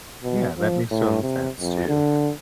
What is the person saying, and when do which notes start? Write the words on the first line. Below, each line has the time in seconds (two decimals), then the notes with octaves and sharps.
Yeah, that makes total sense too.
0.24 B2
0.58 F3
0.91 A2
1.22 C3
1.60 F2
1.89 D3